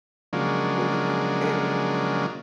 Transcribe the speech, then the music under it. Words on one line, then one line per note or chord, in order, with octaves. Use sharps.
what to do, and, b
C#3 F3 F#3 G#3 A#3 D4